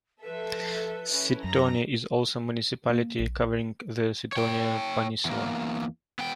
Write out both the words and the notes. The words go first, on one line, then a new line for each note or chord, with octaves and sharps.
Sithonia is also a municipality, covering the Sithonia peninsula.
F3 A4 B4 E5
C#4 E4
F#2 A#5 A#6
A#3
A#1
C#5 G5
E2 A#3
B3 G5